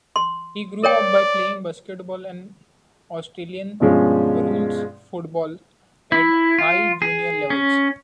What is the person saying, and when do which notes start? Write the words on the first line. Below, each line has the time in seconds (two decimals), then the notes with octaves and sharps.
He grew up playing basketball and Australian rules football at high junior levels.
0.16 C6
0.84 A#4 C#5 D5 G5
3.80 G2 B2 F3 G#3 C#4
6.12 E4
6.59 F4
7.02 G#4
7.50 C#4